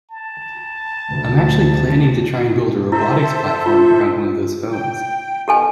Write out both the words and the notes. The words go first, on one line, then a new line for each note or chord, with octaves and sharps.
I'm actually planning to try and build a robotics platform around one of those phones.
A5
D2
E4 A4 C5 E5
F4
G5
B2 D#3 G4 A4 G#5